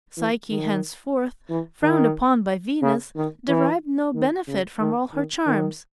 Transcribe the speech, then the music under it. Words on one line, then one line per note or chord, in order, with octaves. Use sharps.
Psyche, henceforth frowned upon by Venus, derived no benefit from all her charms.
E3
D#3
E3
D#3
C#3
D#3
E3
D#3
C#3
D#3
D#3
D#3